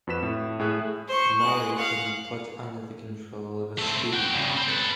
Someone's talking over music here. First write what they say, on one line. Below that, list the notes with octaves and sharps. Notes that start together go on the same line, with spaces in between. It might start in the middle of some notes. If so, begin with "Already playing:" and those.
Moroi can be put under the control of a strigoi.
F2 F#4 B4 B6 E7
A2
A2 G#4 E5 F#6
C5 C#6
G#3 F#6
F5 F#5
A3 C4
F#4 G5
G2 C#3
C4 C5
A4 B4